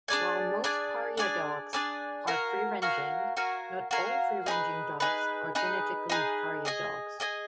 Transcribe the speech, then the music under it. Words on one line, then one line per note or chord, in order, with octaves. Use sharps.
While most pariah dogs are free-ranging, not all free-ranging dogs are genetically pariah dogs.
D4 G#4 D5 G#5
D4 G#4 D5 G#5
D4 G#4 D5 G#5
D4 G#4 D5 G#5
F#4 A#4 F5 G#5
F#4 A#4 F5 G#5
F#4 A#4 F5 G#5
F#4 A#4 F5 G#5
D#4 G#4 B4
D#4 G#4 B4
D#4 G#4 B4
D#4 G#4 B4
G#4 D#5 G#5
G#4 D#5 G#5